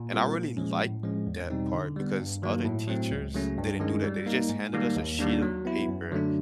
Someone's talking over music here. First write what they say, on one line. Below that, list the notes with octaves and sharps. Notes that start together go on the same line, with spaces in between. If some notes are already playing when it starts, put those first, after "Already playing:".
and I really liked that part because other teachers, they didn't do that, they just handed us a sheet of paper
Already playing: A#2
G3 C4 F4 A#4
A#2
F3 G#3 C#4
A2
F3 G#3 C#4
E2
B2 G3 C4 D#4
D3
G3 B3
G2
D#3 F#3 A#3
A2
F#3 A3 C4
C#2
C#3 F#3 A3 C#4
G2
D#3 G#3 C#4
G3
A#3 D#4
G#2
D#3 G3 A#3
D#2
D#3 G3 A#3 D4
F#3
B3 E4
F#2
D3 F#3 A3 D4